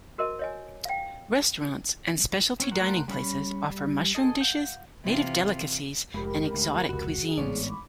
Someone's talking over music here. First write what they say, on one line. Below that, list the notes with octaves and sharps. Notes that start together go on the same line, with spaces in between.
Restaurants and specialty dining places offer mushroom dishes, native delicacies and exotic cuisines.
F#4 A#4 C5 D#5 A5
C#5 D#5 G#5
F5 G5
C4 C#4 C#5
A3 A#3 A#4 C5 F#5
G3 C#4 B5
G3
G#4 A4 D#5
F5 F#5 G6
C3 E3 F4
F1 G#2 G4 A#4 B5
D2
F1 C#2 F#4
G#4
A1 G#2 B3 C#5 D5
B5 C#6 D6